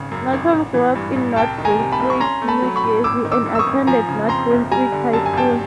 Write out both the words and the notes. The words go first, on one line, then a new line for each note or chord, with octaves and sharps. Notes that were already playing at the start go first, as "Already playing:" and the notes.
Norton grew up in North Brunswick, New Jersey, and attended North Brunswick High School.
Already playing: G#1 C#3
F#2
G#1
A1
E3
G2
A1
C2 G5 A5
D#3
G#5 A#5
C3
A5 B5
C2
C#6
C#4 A#5 C6
A3
A5 B5
F#3
B5 C#6
A2
G#1 D6 E6
D#3
D6 E6
F#2
E6
C#6 D#6
G#1
F3 G#5 A#5
C#3
F2 A#5 C6
G1
G3 G#5 A#5
D3
F#2 A5
G#5
G#1 G5 A5